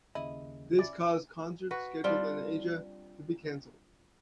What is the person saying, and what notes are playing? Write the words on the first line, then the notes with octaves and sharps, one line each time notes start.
This caused concerts scheduled in Asia to be cancelled.
D#2 C#3 E4 D#5
C#4 E4 D5
F#4 B4
G3 C4 D4 F4